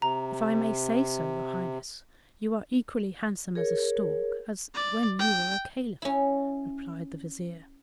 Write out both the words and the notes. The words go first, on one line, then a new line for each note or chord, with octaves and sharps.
"If I may say so, your Highness, you are equally handsome as a stork as when you were a Caliph," replied the Vizier.
C3 A#5
G#4 A#4 C#5
D5
G5
C#4 E4